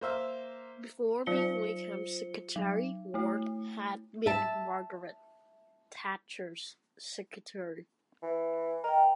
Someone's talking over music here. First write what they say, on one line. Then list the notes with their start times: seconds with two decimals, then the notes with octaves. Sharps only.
Before being Wakeham's secretary, Ward had been Margaret Thatcher's secretary.
0.01 A#3 C5 E5 F5
1.26 F#3 F4 C5 C#7 G7
2.56 F#3
3.14 A3 E4
4.26 E5 A5
8.23 E3
8.84 A#4 D#5 G5